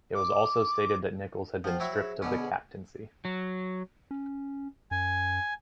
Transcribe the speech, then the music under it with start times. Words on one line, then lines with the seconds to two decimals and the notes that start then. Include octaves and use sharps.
It was also stated that Nicholls had been stripped of the captaincy.
0.15 D6
1.64 F3 F4 C5 F#5 G5
1.80 F#3 E4 F#4
1.93 G#4 C5 E5
2.22 B2 D3 B3 C#4
2.38 G#4 B4 F#5
3.25 F#3
4.11 C#4
4.91 F#2 G#5